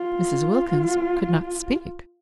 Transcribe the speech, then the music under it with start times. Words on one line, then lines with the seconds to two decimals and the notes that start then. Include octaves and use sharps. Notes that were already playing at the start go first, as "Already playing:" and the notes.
Mrs. Wilkins could not speak.
Already playing: F4